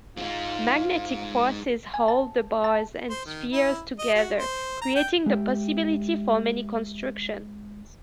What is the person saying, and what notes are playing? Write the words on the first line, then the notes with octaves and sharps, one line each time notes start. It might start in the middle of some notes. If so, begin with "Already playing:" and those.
Magnetic forces hold the bars and spheres together, creating the possibility for many constructions.
G#2 G#3 F4
G#5
A5
A5
C5
D#3
E4
D#5
F#4
C5
A#5
G5
G#3 G4 E5 G5